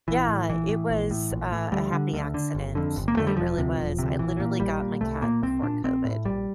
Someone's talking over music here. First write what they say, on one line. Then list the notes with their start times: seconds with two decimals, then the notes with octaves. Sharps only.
Yeah, it was, uh, a happy accident, it really was. I literally got my cat before COVID,
0.08 A#1 E3
0.28 A2
0.49 A#1 E3
0.69 A2
0.90 A#1
1.11 A2
1.31 A#1
1.52 A2
1.72 D2 G3
1.93 D3
2.13 D2
2.34 D3
2.55 G1
2.75 F2 D3
2.96 G1
3.08 A#3
3.16 F2 D3 A3
3.27 G3
3.37 E1 F3
3.57 D2 C3
3.78 E1
3.99 D2 C3
4.19 A#1 E3
4.40 A#2
4.60 A#1 G3
4.81 A#2
5.01 C2 A3
5.22 A#2 A#3
5.43 C2 C4
5.62 A#2 D4
5.84 A#1 C4
6.04 A2
6.25 A#1 G3